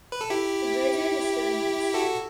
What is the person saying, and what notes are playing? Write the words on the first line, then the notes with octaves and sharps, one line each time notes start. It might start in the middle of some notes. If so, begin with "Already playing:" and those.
The graveyard is still in use.
B4
A4
E4 G4
F#4 A4